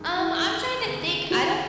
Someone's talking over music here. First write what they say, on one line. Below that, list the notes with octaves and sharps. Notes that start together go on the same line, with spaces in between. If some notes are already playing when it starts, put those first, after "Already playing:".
Um, I'm trying to think, I don't
Already playing: F#2 D#3 G#3 D#4
E4
F#2 D#3 G#3 D#4
D#2 C#3 G#3 B3
D#2 C#3 G#3 B3 F#4
E4